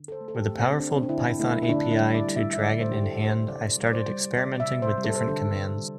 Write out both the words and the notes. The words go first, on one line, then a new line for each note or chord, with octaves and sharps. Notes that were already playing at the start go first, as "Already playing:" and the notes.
With a powerful Python API to Dragon in hand, I started experimenting with different commands.
Already playing: D3
A4
C5
A3
A4
G4
A3
C4
C4
D3 D4
C4
D4
D3 E4
A3 E4
E4
D3 D4
E4
G3
D5
G3
E5
E5
D3 D5
C5
D3 G4
A4
G3
C5
C3 D5
G3
D5
C5
G3
C3 D5
E5
C3
C5
G3
A4
C5
D3 A4
G3